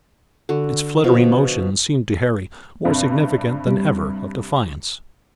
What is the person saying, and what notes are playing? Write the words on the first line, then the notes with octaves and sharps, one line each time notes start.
Its fluttering motions seemed to Harry more significant than ever of defiance.
D3 F#4
B2 F3
G2 C3
G3